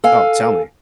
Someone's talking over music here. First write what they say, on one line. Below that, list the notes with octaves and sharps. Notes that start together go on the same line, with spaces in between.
Oh, tell me.
A4 F5 G#5